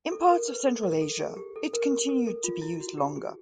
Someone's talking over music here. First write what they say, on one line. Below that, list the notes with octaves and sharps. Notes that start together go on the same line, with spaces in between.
In parts of Central Asia, it continued to be used longer.
A4
A#4
B4
A4
A#4
A4
G#4
G4
A4
A#4
A#4
A#4
A4
F4
E4
F#4
G4
G#4